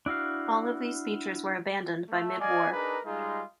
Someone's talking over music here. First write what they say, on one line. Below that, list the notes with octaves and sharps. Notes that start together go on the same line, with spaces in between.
All of these features were abandoned by mid-war.
D4 E4 F#4 F5
A3
D5 D#5 F5 G#5
D4 D#4 G#4 A#4 B4
G3 G#3 D#4 F4 G#4